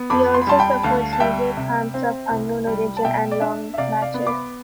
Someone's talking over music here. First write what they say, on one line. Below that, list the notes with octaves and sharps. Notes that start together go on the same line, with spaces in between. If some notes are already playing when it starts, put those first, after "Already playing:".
He also suffered severe cramps of unknown origin in long matches.
Already playing: B3
F2 B5 D6
C6
B5
G3 A5 C6
G5 B5
B5
D2 F5 A5
A5
G3 E5 G5
C3
C4
C2
G3
A5
B2 E5 G5
D5
D4 E5
E5
C3 D5 F5
D5 F5
B3
B5 D6